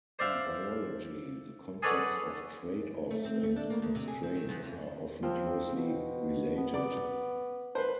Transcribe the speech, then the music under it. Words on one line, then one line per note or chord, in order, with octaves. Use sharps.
In biology, the concepts of tradeoffs and constraints are often closely related.
C5 D5 E5 F5 G5
G#4 A4 B4 C#5 D5 F#5
A3
C4
A3
D4
A#3
D2
C3
G#4
C4
D#3
E2
F2
F3 C4
B2
B3
D5
B4 C5